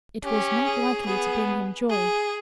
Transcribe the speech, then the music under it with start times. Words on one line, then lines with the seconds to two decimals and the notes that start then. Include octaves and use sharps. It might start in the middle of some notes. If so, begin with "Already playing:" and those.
It was not likely to bring him joy.
0.23 C#4 G4
0.65 G#4
1.06 B3 G#4
1.90 G#4